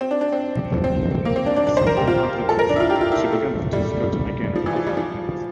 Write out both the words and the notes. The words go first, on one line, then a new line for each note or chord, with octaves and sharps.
Some time after this she began to teach sculpture again at Azad University.
C4
D4
D4
C4
C4
A#3
C4
D4
D4
D4
C5
A#4
G4
F4
A4
A#4
D4
E4
F4
G4
F4
E4
A3
G3
F3
E3
F3
G3
F3